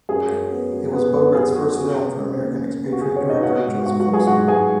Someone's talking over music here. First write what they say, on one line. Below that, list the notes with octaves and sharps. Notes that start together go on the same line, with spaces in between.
It was Bogarde's first film for American expatriate director Joseph Losey.
F#2 G#4
F#2
B3
F#2
F#2 B3 B4
F#2 B3 B4
F#2 G#4
G#4
B3 F#4
C#3 G#4
B3
C#3
D#2
C#3
B3
F#4
C#3 G#4
C#4 C#5
C#3
D#4 D#5
B3 F#4 F#5
G#2
G#2 F#4 F#5
F#4 F#5
F#3
G#4 G#5
G#2 F#4 F#5
G#2 G#4 G#5